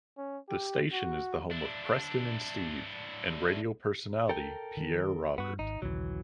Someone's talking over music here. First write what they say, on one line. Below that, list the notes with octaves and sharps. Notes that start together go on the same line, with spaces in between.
The station is the home of "Preston and Steve" and radio personality Pierre Robert.
C#4
G4
F#4
D4 E4
A4 A#4 G5
D#3
G2 B3 F#4
G#1 D#4
A#1 D#2 C#3 E3 F#3